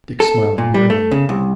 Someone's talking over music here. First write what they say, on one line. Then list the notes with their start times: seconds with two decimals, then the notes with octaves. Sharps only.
Dick smiled wearily.
0.20 A4
0.58 A#2
0.74 G3
0.90 A3
1.11 C#3
1.29 C2